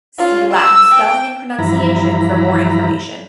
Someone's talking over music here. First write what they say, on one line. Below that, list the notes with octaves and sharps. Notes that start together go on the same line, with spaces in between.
See Latin spelling and pronunciation for more information.
C#4 F4
E6
G5
G2 E3 F3 E4 A#5 B5